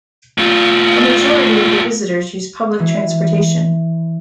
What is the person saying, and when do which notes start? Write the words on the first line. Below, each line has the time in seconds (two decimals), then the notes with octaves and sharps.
A majority of the visitors use public transportation.
0.38 A2 F4
2.80 E3